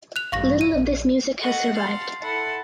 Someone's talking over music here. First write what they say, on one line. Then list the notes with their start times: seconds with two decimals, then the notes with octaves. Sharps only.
Little of this music has survived.
0.16 F#6 F7
0.32 A1 G2 F5 C#6 A#6
0.61 D#7
0.73 A#1
1.41 F#4 A4 D#5 F#5
1.73 F5 F#5 A5 C6
2.21 E4 A4 F#5 A5 B5 C6